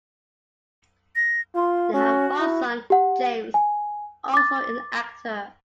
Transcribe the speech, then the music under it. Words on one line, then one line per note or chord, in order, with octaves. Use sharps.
They have one son, James, also an actor.
A#6
F4 C6
C#4 F#4
E4
G4 F#5
G#5
D6 A6